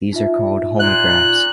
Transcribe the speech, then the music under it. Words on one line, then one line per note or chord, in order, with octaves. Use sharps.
These are called homografts.
D#4 F4 E5
A#2 F#6